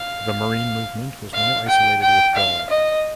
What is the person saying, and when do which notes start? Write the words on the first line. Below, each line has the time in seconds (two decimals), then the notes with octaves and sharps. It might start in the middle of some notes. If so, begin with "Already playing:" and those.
The Marine movement was no isolated withdrawal.
Already playing: F5
1.34 F5
1.68 G5
2.02 G5
2.36 F5
2.70 D#5